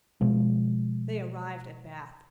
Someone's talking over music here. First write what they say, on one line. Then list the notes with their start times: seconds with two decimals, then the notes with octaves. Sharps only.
They arrived at Bath.
0.21 B2 F3 G#3